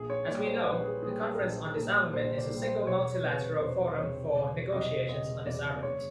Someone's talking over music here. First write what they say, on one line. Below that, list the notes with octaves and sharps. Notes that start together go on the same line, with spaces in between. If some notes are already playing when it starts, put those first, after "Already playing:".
As we know, the Conference on Disarmament is a single multilateral forum for negotiations on disarmament.
Already playing: A#1 G#4
C#5
A#2 G3 D5
C5
A#1 B4
G#4
A#2 G3 G#4
G#4
A#4
A#1 A4
A#2 G3 A#4
A#1 C5
D5
A#2 G3
C5
E1 C#5
E2 C3 B4
E1 C5
E2 C3 C#5
E1 D5
E2 C3 D#5
E1 D#5
E2 C3 D5
D5
F#1 C#5